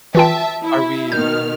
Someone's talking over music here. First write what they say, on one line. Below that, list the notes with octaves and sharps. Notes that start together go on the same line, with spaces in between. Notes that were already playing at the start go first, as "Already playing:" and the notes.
are we
E3 F4 E5 G5 A5
E4 E5
B2 D#3 F6 G6